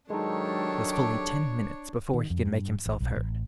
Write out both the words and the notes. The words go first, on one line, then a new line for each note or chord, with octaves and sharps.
It was fully ten minutes before he could make himself heard.
D#3 F#3 G#3 D4 D#4 G4 A4 C#5
D6
D#3
F2
G2
A1
B1
A1